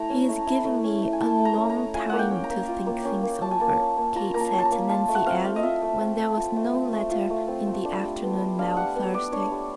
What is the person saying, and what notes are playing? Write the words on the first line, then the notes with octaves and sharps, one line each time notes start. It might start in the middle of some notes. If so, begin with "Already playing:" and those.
"He is giving me a long time to think things over," Kate said to Nancy Ellen when there was no letter in the afternoon mail Thursday.
Already playing: A3 E4 A#5
C#4
A3
E4
A3
C#4
A3
G#5
E4 A5
A3
A#5
C#4
A#5
A3
F4 G#5
A#3 F#5
G5
C#4
A#5
A#3
F4
A#3
C#4
A#3
F4 A5
G#5
A#3 A5
C#4
A#3
F4 A#5
A#3 A#5
A5
C#4
A5
A#5
A#3
F4 A5
A3
F#5
C4 F5
A3
D#5
F4 E5
A3
C4
A3
F4
A3
C4
A3
F4
A3
C4
A3
D4
G3
B3
G3
D4 F5
G3 F#5
B3
G3 D5
D4 C#5
G3